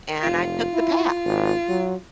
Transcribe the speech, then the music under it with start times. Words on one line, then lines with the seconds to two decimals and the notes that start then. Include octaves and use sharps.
and I took the path.
0.23 F1 F4
0.73 E4
1.25 G#1
1.69 F#3